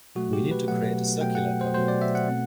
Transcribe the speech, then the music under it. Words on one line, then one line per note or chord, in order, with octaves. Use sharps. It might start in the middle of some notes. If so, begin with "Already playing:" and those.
We need to create a circular economy.
B2 F#3 A3 F#4
G4
B4
B2 F#3 A3 F#5
B2 F#3 A3 G5
F#5
C5
B2 F#3 A3 C5
D5
E5
F#5
B2 A3 C4